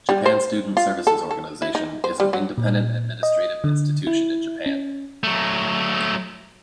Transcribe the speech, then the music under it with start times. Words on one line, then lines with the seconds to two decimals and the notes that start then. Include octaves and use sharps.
Japan Student Services Organization is an independent administrative institution in Japan.
0.09 G3
0.26 C5
0.77 F4
1.07 A4
1.31 A4
1.62 E4
1.75 D#4
2.04 C5
2.20 G3
2.33 F#3
2.58 A#2
3.23 D#5
3.64 D3
4.07 E4
4.66 C#4
5.23 F#3 A3